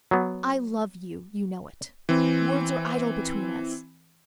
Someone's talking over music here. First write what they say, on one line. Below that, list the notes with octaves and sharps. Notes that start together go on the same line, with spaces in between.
I love you--you know it--words are idle between us.
F#3 B3
E3 C4